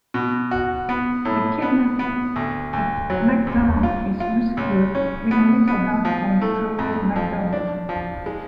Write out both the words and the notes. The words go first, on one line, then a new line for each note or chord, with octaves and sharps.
The kidnapped McDonald is rescued, with a little help from Joey McDonald.
B2
F#4
B3
A2
B3
B3
D2
D2
F#3
C#2
F4
F4
C#2
C#4
B3
B3
F3
A3
F2
F3
D4
F3
G#3